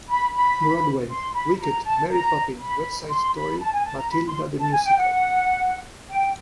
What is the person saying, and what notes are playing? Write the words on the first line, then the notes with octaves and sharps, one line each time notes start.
Broadway: Wicked, Mary Poppins, West Side Story, Matilda the Musical.
B5
B5
C6
B5
A#5
A5
A#5
B5
C6
B5
A5
G#5
A5
A#5
B5
C6
A5
G#5
G5
F#5
G5